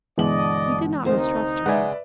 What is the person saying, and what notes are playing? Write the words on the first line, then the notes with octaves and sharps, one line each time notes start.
He did not mistrust her.
G1 B2 E3 G#3 D5 D#5 F#7
D2 C3 D#4 A#4 C5
C#3 G#3 B4 D5 E5 F#5 G#5